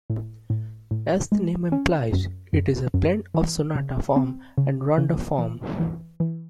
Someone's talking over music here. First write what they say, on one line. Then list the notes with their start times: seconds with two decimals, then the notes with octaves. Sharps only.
As the name implies, it is a blend of sonata form and rondo form.
0.10 A2
0.50 A2
0.91 A2
1.32 G#3
1.72 C#4
2.13 F#2
2.53 F#2
2.94 F#2
3.34 E3
3.75 C#3
4.16 C4
4.58 C#3
4.98 C#3
5.39 E3
5.80 E3
6.20 E3